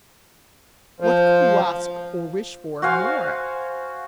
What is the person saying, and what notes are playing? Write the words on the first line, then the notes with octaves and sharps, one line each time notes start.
What could you ask, or wish for, more?
F3
F#4 C5 F5 G#5